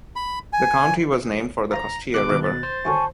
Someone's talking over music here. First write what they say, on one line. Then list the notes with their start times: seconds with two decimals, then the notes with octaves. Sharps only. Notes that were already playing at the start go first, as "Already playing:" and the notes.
The county was named for the Costilla River.
0.16 B5
0.53 G#5
1.71 D4 F4 C5 A#5
2.14 B2 G#4 C5 G5 D6 F#6
2.30 D#3
2.43 A6
2.63 C5
2.85 F#2 D3 F#3 G#5 A5 C#6